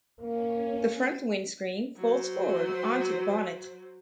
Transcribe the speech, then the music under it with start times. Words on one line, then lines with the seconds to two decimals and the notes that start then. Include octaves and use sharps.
The front windscreen folds forward onto the bonnet.
0.21 A#3 C#4
1.97 F#3 C5